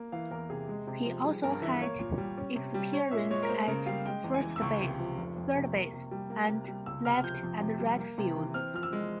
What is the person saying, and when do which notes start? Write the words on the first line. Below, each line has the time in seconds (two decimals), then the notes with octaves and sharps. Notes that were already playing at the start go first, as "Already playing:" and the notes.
He also had experience at first base, third base, and left and right fields.
Already playing: A#3
0.12 E3 F5
0.31 E2 A#4
0.50 C3 G#4
0.69 G#3
0.87 C3
1.06 F3
1.25 G3 G#4
1.43 G2 A#4
1.62 E3 E5
1.81 A#3 C#5
1.99 A#2
2.18 G3
2.38 C#4
2.55 C3
2.74 G3
2.93 C#4 C#5
3.11 A#2 E5
3.30 G#3 C#5
3.43 A#4
3.49 A#3 C5
3.67 C#3 A#4
3.86 G3 F5
4.06 G#3 G5
4.24 E2
4.34 G#5
4.43 E3
4.56 E6
4.62 C#2 C#6
4.80 C3
4.99 F3
5.18 F1
5.37 F2
5.55 C3
5.74 A#3
5.93 C3
6.11 G3
6.30 A#3
6.49 C3
6.68 G3
6.86 C#2 E6
7.05 C3 F6
7.23 F3 G6
7.43 F2
7.61 C3
7.80 G3
7.99 A#3
8.18 C3
8.36 E3
8.54 C4 F6
8.74 F3 F6
8.83 E6
8.93 G#3